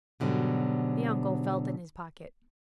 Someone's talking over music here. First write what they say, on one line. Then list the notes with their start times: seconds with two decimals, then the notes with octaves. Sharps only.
The uncle felt in his pocket.
0.20 G#2 B2 D3 D#3 F#3 G3